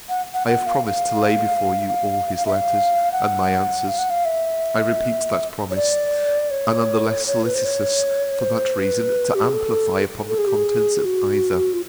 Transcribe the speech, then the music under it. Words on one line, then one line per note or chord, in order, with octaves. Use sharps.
I have promised to lay before you all his letters, and my answers: I repeat that promise: and am the less solicitous, for that reason, to amplify upon the contents of either.
F#5
F#5
F#5
F5
F5
F5
E5
F5
F#5
F5
F#5
F5
E5
C#5
D5
C#5
C#5
B4
C5
C#5
C5
B4
G4
G#4
A4
A4
G#4
G4
G#4
F#4
F4